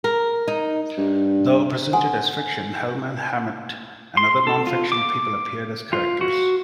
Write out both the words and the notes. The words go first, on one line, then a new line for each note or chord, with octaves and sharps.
Though presented as fiction, Hellman, Hammett, and other nonfictional people appeared as characters.
A#4
D#4
G2
A4 F#5 G#5 C6
C6
A4
F4
D6
F4
F#4